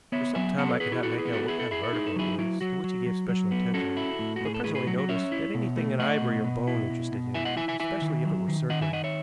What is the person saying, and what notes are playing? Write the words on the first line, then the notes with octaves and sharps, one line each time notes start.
For some time I could not make out what kind of article it was to which he gave special attention, but presently noticed that anything in ivory or bone interested him, especially if it were circular.
B3 C#5 E5
F#3 E5 G#5
B3 F#5 A5
A4 C#5
B3 G#4 B4
E4 G#4
E4 F#4 A4
G#4 B4
B3
F#4 A4
E4 G#4
A4
E4 G#4
A4
D#4 G#4
A4
F#3 E4 G#4
F#3 E4
F#3 F#4
F#3
F#3
F#3
B3
C#4 F#4 A4
E4
A2
F#4
A2 G#4
A4
A2 G#4 B4
G#4 B4
F#3 F#4
F#4
C#4 C#5 E5
E4
B2
A3
A3 D#5 F#5
B2
B2
E4
B2
B2
E4 E5 G#5
D#5 F#5
E4 E5 G#5
E5 G#5
E4 E5 G#5
D#3
F#3
D#3
D#3 D#5 F#5
E5 G#5
D#3 D#5 F#5
C#5 E5